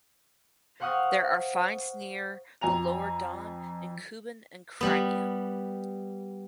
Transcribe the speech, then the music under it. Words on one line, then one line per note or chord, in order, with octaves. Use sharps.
There are finds near the lower Don and in Kuban and Crimea.
C5 F5 F#5 C#6 D#6 F6
F2 G#5 A#5 F7
G3 B3